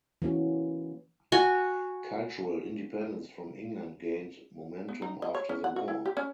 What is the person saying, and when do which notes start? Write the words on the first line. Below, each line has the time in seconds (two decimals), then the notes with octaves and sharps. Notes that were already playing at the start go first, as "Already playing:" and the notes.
Cultural independence from England gained momentum after the war.
0.22 E3 A#3 C#4 F#4
1.32 F#4 G#5
4.89 B3
5.02 D#4
5.22 D#5
5.35 C#5
5.49 C#4
5.64 F#5
5.76 F#4
5.88 E4
6.06 G4
6.17 C#4